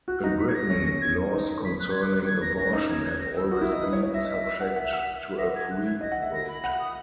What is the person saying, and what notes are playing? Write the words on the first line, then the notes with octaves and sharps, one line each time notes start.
In Britain, laws concerning abortion have always been subject to a free vote.
F#4 F#6
D#4 A#6
B6
G#6
A#6
C#4
G#6
D#4
B6
F#6
G#6
F#6
G#6
A#6
C#4 A#6
D#4
G#6
G#6
A#6
E6
F#4 D#6
E4
D#5
B4
C#5
C#5
E5 A#6
D#5
B6
E5
E5
F#5
F#5 B6
E5
F#5
E5 A#6
G#6
F#6
G#6
D#5 A#6
F#5
E5
A#6
B5
F#5 B5
D#6